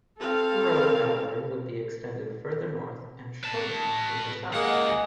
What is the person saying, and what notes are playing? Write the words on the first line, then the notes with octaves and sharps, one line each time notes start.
The road, however, would be extended further north and shortened to the south.
C4 A4 F5
A#4
B4 A5
C#2 G#3 A#3 G4 D#5 F#5 G#5 D#6